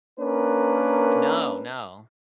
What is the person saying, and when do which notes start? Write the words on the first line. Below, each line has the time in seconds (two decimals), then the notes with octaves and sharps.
No, no.
0.20 A#3 C#4 D4 A#4 B4